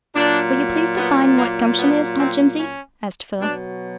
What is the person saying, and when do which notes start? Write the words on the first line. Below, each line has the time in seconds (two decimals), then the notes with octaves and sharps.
"Will you please define what gumption is, Aunt Jimsie?" asked Phil.
0.15 A#2 F#3 D4
0.97 B3
1.36 A#3
1.77 B3
2.18 C4
2.58 C#4
3.40 B2 F#3 D4